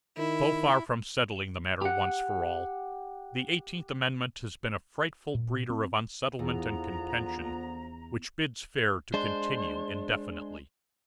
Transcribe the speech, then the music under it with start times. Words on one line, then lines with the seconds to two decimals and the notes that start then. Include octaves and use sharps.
So far from settling the matter once for all, the Eighteenth Amendment has been a frightful breeder of unsettlement and contention, which bids fair to continue indefinitely.
0.18 D#3 E4
1.82 G4 F#5
5.35 A#2
5.70 C4
6.39 E2 D3 F3 B3 F4 A#5
9.14 G#3 D4 C5